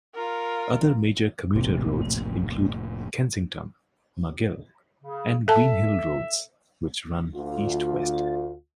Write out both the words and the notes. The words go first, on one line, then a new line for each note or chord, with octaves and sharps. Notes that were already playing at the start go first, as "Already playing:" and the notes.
Other major commuter roads include Kensington, Magill and Greenhill Roads, which run east-west.
F4 A#4
F1 A#1 A2 C3 A#3
C#3
A4 E5 A5
D2 F4